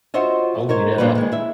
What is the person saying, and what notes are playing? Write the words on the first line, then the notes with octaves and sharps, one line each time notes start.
Oh, yeah.
F4 F#4 C5 C#5 D#5 E5
D#4 A#4 C5 C#5
G2 A#2 C#3 F3 B4
D#3 G#3
E4 E5